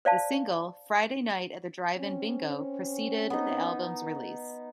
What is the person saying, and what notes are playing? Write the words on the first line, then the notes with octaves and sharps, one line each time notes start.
The single "Friday Night at the Drive-in Bingo" preceded the album's release.
C5 D5 F5 A5
C4 C#4
B3 D#4